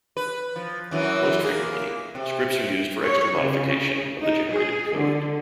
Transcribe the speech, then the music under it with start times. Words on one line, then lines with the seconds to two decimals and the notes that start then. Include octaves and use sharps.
Most frequently scripts are used for extra modification of the generated code.
0.17 B4
0.56 F3
0.91 F#2 E3 F#3
1.44 A#3 G#4
2.15 C3
3.04 C#5
3.37 C#3
4.19 D#4
4.51 G#4
4.95 D3